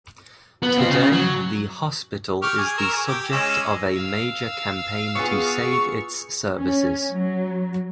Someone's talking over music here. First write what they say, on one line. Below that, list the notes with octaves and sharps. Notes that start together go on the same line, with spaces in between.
Today the hospital is the subject of a major campaign to save its services.
B3
C4 F4
C#3
F#3
G4 C#6 F6
G#4
A#4 C#6 E6
G#4
G4
G#3 C#4 E6
F5 E6
B3 F4 G#4 C#6
C#4
F#3